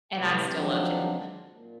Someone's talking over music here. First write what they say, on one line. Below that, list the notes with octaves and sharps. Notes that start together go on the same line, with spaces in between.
and I still loved him,
A2 C3 G3 A3 B4 D5
D#3 F3 F#3 G#3 C4 D4
A#2